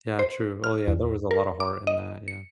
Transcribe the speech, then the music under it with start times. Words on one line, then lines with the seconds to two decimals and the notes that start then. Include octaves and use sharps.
Yeah, true, oh, yeah, there was a lotta heart in that, yeah.
0.19 C5
0.64 F6
0.88 E2
1.31 A#4
1.60 D6
1.87 D#5
2.28 C#7